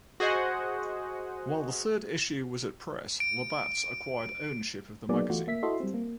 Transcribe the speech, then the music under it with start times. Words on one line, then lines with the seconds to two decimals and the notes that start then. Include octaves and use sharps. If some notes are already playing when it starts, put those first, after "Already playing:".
While the third issue was at press, Labatt's acquired ownership of the magazine.
0.20 F#4 G#4 C5 D#5 F#5
3.20 D7
5.09 F#3 A#3 B3 D#4 G#4 D5
5.30 E3 A3 F4 F#4
5.47 A#3 E5 B6
5.63 E4 F#4 A4 D#5 E5 C6
5.80 G3 C4
5.94 A#3